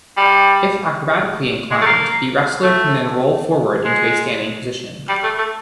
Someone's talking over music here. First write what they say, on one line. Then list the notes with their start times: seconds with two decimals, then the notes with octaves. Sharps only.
If acrobatically inclined, the wrestler can then roll forward into a standing position.
0.17 G3
1.71 G#3
1.81 A3
1.86 A#3
2.63 A3
3.85 G#3
5.09 G3
5.23 A3
5.39 A3